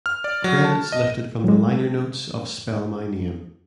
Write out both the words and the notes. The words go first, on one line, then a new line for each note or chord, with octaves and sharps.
Credits lifted from the liner notes of "Spell My Name".
F6
D5
F#3
A5
D#5
F#3 G#3